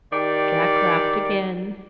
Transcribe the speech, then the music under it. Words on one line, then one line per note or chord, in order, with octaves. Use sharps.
Jack laughed again.
D#3 G4 D5